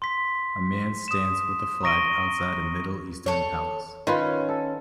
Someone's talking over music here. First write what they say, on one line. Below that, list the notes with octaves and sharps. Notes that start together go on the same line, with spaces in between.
A man stands with a flag outside a middle eastern palace.
C6 B6
D#6 E7
A#5 C#6 A#6 D7 D#7 G7
A4 C#5
D#3 C#4 F4 B4
A4